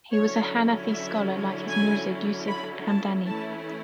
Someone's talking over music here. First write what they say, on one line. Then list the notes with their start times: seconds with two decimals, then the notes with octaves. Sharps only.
He was an Hanafi scholar like his murshid, Yusuf Hamdani.
0.12 D3 F#3 C#4 E4 C#5
0.91 E5
1.69 G#5
2.48 B5
2.86 A5
3.26 E3 A3 C#4 E4 A5